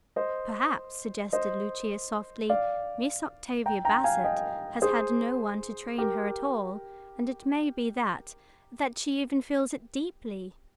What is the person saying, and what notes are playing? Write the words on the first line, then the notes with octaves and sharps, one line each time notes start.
"Perhaps," suggested Lucia softly, "Miss Octavia Bassett has had no one to train her at all; and it may be that--that she even feels it deeply."
C5 D#5
C5 D#5
D5 F5
G5 A#5
G5 A#5
F5 G#5
D#5 G5
G#4 C5
G4 A#4